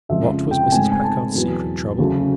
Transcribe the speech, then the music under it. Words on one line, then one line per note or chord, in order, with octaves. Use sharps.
What was Mrs. Packard's secret trouble?
F2 C#3 F3 G#3 E5
G5
G#2 F3 A3 C4 G#5
G#5
A5
E2 B2 F#3 B3
D2 C#3 F#3 A3